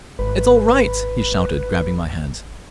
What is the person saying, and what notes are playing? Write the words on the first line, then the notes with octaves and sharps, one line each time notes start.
"It's all right!" he shouted, grabbing my hands.
G#1 B4